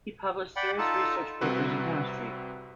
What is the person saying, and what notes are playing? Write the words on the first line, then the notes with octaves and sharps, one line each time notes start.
He published serious research papers in chemistry.
D5 F#5 G5 B5
D#4 F4 A4 A5
C2 C3 F#4 B4